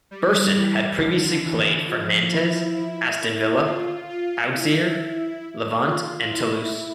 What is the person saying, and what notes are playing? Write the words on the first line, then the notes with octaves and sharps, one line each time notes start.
Berson had previously played for Nantes, Aston Villa, Auxerre, Levante and Toulouse.
G3
E3
D3
E3
F3
E4
E4
F4
F4
E4
F4
E4